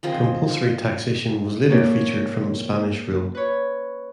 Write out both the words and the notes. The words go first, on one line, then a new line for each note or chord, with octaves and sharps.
Compulsory taxation was later featured from Spanish rule.
D#3 F3 C4 G#4
A#3 C#4 C#5 D5
B4 C#5